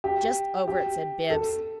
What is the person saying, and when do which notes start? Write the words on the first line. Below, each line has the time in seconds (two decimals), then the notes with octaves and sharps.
"Just over it," said Bibbs.
0.04 G4
0.68 G4
1.30 A4